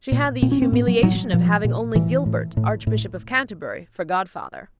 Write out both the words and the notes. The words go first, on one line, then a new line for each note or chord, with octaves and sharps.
She had the humiliation of having only Gilbert, Archbishop of Canterbury, for godfather.
A#2
A#2 C4
C#4
C4
A2 B3
F#3
A2 F#3
A#2 F3
A#2
A2 E3
A2
A2
A2